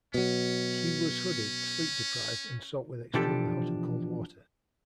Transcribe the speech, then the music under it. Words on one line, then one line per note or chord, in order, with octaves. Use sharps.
He was hooded, sleep deprived, and soaked with extremely hot and cold water.
B2 F#3 C#4
B2 E3 F3 D4 G4 A4